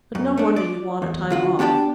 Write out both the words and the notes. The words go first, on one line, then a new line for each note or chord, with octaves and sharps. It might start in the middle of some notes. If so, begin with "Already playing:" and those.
But no wonder you want a time off.
F#2
A3 D4
D5
E2
D2 F4 F#4
B3 D4 G4 D5 A5